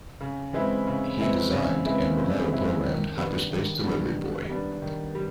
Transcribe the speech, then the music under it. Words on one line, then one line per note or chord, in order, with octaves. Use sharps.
He designed, and Romero programmed, Hyperspace Delivery Boy!
C#3
E3 G#3 C4 E4
C#3
E3 G#3 C4 E4
C#3
E3 G#3 C4 E4
C#3
E3 G#3 C4 E4
D#3
G3 B3 D4
D#3
G3 B3 D4
D#3
G3 B3 D4
D#3
G3